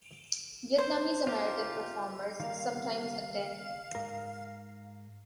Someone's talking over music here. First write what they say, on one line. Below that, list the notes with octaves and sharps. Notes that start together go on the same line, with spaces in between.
Vietnamese-American performers sometimes attend.
C5
F4 G4 A#4
D#3 G3 A#3 F5
G#2 A#4